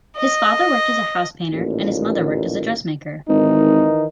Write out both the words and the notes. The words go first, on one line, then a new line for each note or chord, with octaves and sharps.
His father worked as a house painter, and his mother worked as a dressmaker.
D#5
A1 D#2 A#2
G#1 D#3 E3 D#4